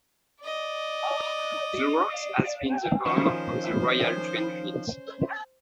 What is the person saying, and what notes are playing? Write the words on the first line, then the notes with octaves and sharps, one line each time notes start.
The Works has been the home of the Royal Train fleet.
D5 D#5
D#3 F3 C#4 C5